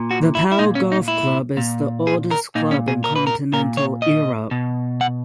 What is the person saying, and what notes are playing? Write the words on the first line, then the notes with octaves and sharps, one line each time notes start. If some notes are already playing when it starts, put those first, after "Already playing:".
The Pau Golf Club is the oldest club in continental Europe.
Already playing: A#2
F#4
E4
E4
A#2 D#4
C#4
D#4
E4
A#2
G#4
A#4
A#2 D#4
C#4
G#4
A#4
B4
A#4
A#2 A#4
C#5
D#5
B2
F#5